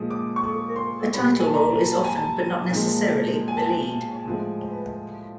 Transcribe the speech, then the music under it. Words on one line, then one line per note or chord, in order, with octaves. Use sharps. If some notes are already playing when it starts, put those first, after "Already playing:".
A title role is often but not necessarily the lead.
Already playing: A#2 F3 G#3 D#6
D6
C#6
C6
A#2 G3 B5
G#5
A5
A#5
A5
G#5
A5
A#2 F3 G#3
G#5
A5
G#5
A2 F3 G#3